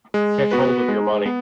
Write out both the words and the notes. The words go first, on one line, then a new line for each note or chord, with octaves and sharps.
Catch hold of your money.
G#3
B3 F#4 B4
G#3
B3